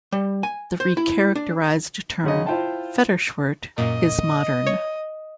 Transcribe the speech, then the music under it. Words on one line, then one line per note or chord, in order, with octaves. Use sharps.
The recharacterized term "Federschwert" is modern.
G3
G#5
C5
E4
D4
F#2 C#3 D#5
E4 F4 C5 G5 A5
F#2 A#2 D#5
C#5